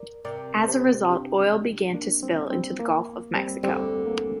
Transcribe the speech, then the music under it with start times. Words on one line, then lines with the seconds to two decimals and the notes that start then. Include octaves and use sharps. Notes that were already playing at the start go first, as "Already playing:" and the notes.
As a result, oil began to spill into the Gulf of Mexico.
Already playing: A#4 D5
0.25 C3 A#4 D5
0.68 G4 C5
1.10 D4 G4
1.94 A#3 D4
2.23 G3 C4
2.50 G3 C4
2.80 A#3
3.35 G3 C4
3.63 D2 D3 G3 C4
4.06 A#3